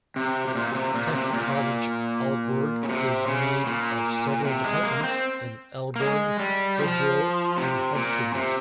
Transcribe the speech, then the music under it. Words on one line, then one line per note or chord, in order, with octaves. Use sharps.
Tech College Aalborg is made of several departments in Aalborg, Hobro and Hadsund.
C3
C3
A#2
C3
A#2
C3
A#2
C#3
C3
C#3
A#2
C3
G#3
A#3
C4
A#3
G#3
G3
F3
C3
A#2
C3